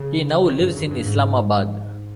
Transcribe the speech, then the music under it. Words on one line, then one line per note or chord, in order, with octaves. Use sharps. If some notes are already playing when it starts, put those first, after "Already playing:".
He now lives in Islamabad.
Already playing: C#3
D#3
G2
F2
G2
G#2